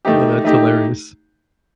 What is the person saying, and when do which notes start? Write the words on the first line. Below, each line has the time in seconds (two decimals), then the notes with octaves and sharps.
Oh, that's hilarious.
0.05 D#3 A3 D#4 G4
0.44 D#3 A3 D#4 G4